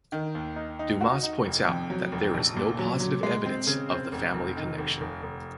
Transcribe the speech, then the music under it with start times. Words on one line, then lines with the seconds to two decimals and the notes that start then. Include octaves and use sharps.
Dumas points out that there is no positive evidence of the family connection.
0.12 D#3
0.35 D#2
0.56 D#4
0.79 D#4
1.01 F#4
1.23 D#4
1.45 F1
1.67 F2
1.90 F#3
2.12 F1
2.34 A#1
2.56 A#2
2.79 F#3
3.00 F#3
3.23 G#3
3.46 C4
3.67 C#3
3.90 C4
4.12 F1
4.34 F1
4.57 D#3
4.78 F1
5.01 F1
5.22 F1